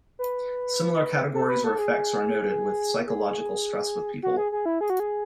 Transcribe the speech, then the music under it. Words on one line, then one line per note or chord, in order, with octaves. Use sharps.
Similar categories or effects are noted with psychological stress with people.
B4
A4
B4
A4
G#4
G#4
F#4
G#4
G#4
E4
G#4
F#4
G#4